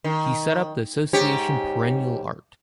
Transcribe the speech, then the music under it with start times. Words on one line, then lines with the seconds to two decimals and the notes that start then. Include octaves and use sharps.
He set up the association Perennial Art.
0.04 D#3
1.13 G#2 G4 C#5